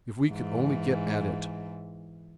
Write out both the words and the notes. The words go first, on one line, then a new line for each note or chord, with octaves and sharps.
If we could only get at it!
G#2 E3